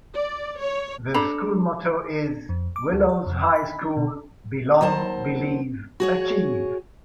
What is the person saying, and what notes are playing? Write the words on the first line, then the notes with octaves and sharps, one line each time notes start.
The school motto is "Willows High School: Belong, Believe, Achieve".
D5
C#5
D4 A4 A#5 B5
F2
D6
D2
D5
F2
B5
D4
B2
D#2 F#3 C5 A5
F#4 G#4 C#5